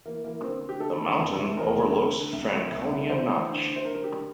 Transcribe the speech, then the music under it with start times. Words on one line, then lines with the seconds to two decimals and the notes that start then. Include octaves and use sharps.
The mountain overlooks Franconia Notch.
0.05 E3 A#3
0.24 E3 A#3
0.42 D3 C4
0.62 D3
0.69 G4
0.80 D3 A4
0.99 D3
1.19 F2
1.38 C3
1.57 E2 A#4
1.75 C3
1.95 D3
2.13 D3
2.32 C2
2.52 C3
2.71 C2
2.90 C3
3.09 E3 C5
3.29 E3
3.48 D3
3.66 D3
3.76 C5
3.84 D3 A#4
4.04 D3 G4